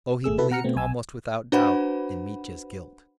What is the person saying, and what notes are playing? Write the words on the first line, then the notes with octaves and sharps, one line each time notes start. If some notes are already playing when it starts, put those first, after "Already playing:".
Oh, he believed almost without doubt in Mitya's guilt.
G#1 A3 G#4 E6
C3 B3 E4 A4 B4
B2 F#5 A#5 F6 C#7
B2 A3 B3 C4
B1 G#5 E6
D4 F#4 B4 C5 F#5 B5